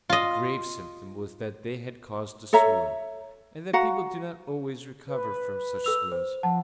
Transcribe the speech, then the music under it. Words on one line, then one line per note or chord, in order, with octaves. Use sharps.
A grave symptom was that they had caused a swoon, and that people do not always recover from such swoons.
F4 D#5
A4 C#5 E5 A#5
F#4 F5 F#5 A#5
B4
A4 E6 F7
C5
F3 F#5 A5